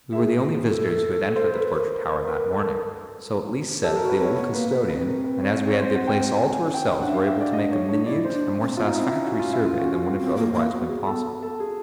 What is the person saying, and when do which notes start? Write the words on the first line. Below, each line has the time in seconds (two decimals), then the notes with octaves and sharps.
We were the only visitors who had entered the Torture Tower that morning--so at least said the old custodian--and as we had the place all to ourselves were able to make a minute and more satisfactory survey than would have otherwise been possible.
0.12 G#4 E5
0.39 G#4
0.65 A4
1.36 C5
1.54 B4
1.67 A4
1.71 A#4
2.25 B4
2.51 A4
3.83 G4 A4
3.96 F#4 A#4
4.10 B4
4.18 C4 C#5
4.35 B3 C#5
4.53 A#3 B4
4.71 B3 B4
4.89 C4 B4
5.07 A#4
5.24 B4
5.42 C#5
5.68 C#5
5.81 C5
5.95 F#5
6.07 G5
6.35 G#5
6.48 G#5
6.65 C#4
6.74 C4 G5
6.83 C#4
7.01 D4 F#5
7.08 E5
7.14 F5
7.27 E5
7.40 D5
7.53 D#5
7.71 C#5
7.89 C#5
8.06 E4 D5
8.25 C#4 C5
8.33 D4
8.60 C#4
8.70 C4
8.77 B3 F4
8.88 D#4
8.95 C4 E4
9.12 C#4 E4
9.25 F#4
9.39 F4
9.52 E4
9.65 F4
9.79 F#4
9.92 F4
10.05 F#4
10.19 C4
10.36 A#3
10.53 A#3
10.71 B3 F#4
10.89 G#4
11.07 A4
11.42 A4
11.60 G#4